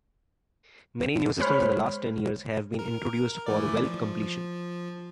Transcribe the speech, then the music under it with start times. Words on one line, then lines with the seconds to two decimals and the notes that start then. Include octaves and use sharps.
Many new systems in the last ten years have been introduced for well completion.
1.39 G#3 C5 C#5 B5 F6
2.79 A#4
3.46 E3 A3 D5
3.85 F3